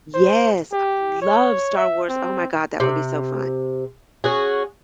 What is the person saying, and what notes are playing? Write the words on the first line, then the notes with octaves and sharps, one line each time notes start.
Yes. I love Star Wars, oh my god, that would be so fun.
C5
G4
C#5
E5
C4
C3
C#4 F#4 G#4